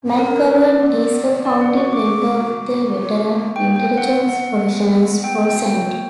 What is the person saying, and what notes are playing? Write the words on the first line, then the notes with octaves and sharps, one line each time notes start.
McGovern is a founding member of the Veteran Intelligence Professionals for Sanity.
C#4 A#4
B4
C#4
D5
B3
B3
B3 D5
F#5
F#4 C#6
D6
B3
F#4
B3
F#4
A#3
G5
A#3
G5
B3 F#5
B3 F#5
B3
B3
B3 G5
G5
F#4
G5
A#3